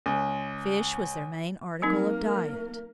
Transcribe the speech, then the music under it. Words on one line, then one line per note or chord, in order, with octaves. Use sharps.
Fish was their main article of diet.
C#2
F#3 A#3 C4 D#4 A#4